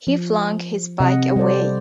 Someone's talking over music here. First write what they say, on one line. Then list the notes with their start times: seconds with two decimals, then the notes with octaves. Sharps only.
He flung his bike away.
0.07 F3
1.00 C3 D#5 F#5
1.36 G3 A4 C5 D5